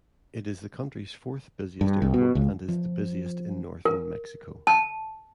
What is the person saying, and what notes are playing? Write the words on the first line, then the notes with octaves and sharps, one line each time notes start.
It is the country's fourth busiest airport and is the busiest in northern Mexico.
G2
C2
B2
C#2
F3
A#4
A5